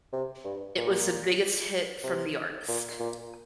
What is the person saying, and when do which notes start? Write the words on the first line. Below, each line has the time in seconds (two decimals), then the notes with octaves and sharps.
It was the biggest hit from the artist.
0.13 C3
0.45 G2
0.77 A#2
2.04 C3
2.68 A#2
3.00 A#2